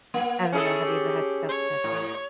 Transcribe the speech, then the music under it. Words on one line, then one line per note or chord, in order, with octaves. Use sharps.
and I don't know, have you ever had stuffed pepper?
A#3
C#4 E4 G#4 A4
G4
C#5
A2